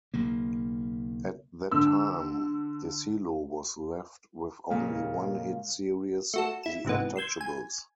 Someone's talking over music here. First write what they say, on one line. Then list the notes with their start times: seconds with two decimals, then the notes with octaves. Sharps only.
At that time, Desilu was left with only one hit series, "The Untouchables".
0.14 B1 C#3 A#3
1.72 D3 E6
4.70 A#2 C#3 G#3 A#3
6.34 A3 F#4 A4
6.63 E4 E7
6.85 G#1 G#2 C3 E3 B3
7.16 C6 E6 G6 G#6
7.41 G#5